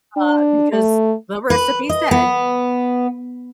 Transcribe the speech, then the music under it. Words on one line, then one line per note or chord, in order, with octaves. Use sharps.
uh, because the recipe said
D4
A3
B4
D#5
B3